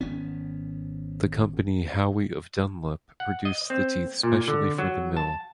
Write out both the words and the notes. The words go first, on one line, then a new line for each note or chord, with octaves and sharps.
The company Howie of Dunlop produced the teeth specially for the mill.
G#1 B3 C#4
F#5
D#5
C4
A#2
D3
F#3
A5